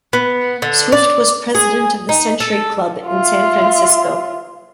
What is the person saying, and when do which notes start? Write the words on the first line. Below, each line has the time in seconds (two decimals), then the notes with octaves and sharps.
Swift was president of the Century Club in San Francisco.
0.13 B3
0.62 D3
0.92 D5
1.55 G#4
2.09 D#4
2.40 A4
3.07 F4 E5